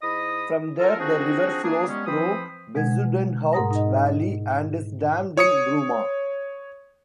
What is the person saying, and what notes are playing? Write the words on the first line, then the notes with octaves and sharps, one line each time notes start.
From there the river flows through Bezuidenhout Valley and is dammed in Bruma.
G#2 E4 D#5 B5 D#6
F4 A4 A#4
F3 C4 D4 D#4 F#4 G#4
A#3 D4 G#4
G3 G#3 B3 C#4
E3 F3 C4 C5 B5 D#6
B2 G#3 F#5 G#6
G#2 A#4 F#5 A#5 D#6 A#6
D#4 D#5
C#5 D#6 C#7